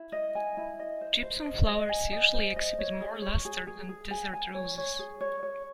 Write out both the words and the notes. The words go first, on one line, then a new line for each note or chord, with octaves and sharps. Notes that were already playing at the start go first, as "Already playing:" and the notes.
Gypsum flowers usually exhibit more luster than desert roses.
Already playing: E4
D#5
G#5
E4
D#5
C5
C5
D#5
D#5
G#5
D#5
C5
D#5
C#5
G#4
C#5
G#4
G#4
G#4
G#5
G#5
C#5
C#5
G#4
C#5
C#5